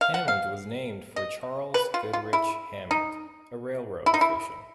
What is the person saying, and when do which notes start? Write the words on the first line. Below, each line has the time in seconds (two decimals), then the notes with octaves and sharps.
Hammond was named for Charles Goodrich Hammond, a railroad official.
0.01 F5
0.14 F#5
0.28 F5
1.16 D#5
1.74 B4
1.94 F4
2.13 F4
2.33 E4
2.91 D#4
4.06 E4
4.14 D#4
4.21 E4